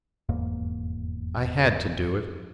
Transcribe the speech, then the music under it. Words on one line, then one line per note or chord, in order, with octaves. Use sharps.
I had to do it.
F1 E2 G#2 A#3